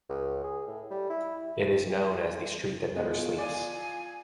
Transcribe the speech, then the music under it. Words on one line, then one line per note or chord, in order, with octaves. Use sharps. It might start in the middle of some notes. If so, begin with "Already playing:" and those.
It is known as the street that never sleeps.
C#2
G#4
A2
G3
E4
B2 G#3 F4
D5 G#5